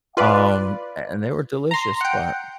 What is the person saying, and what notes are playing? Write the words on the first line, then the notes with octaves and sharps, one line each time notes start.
um a and they were delicious, but,
F4 B4 D5
A#5 C6
F#5 G5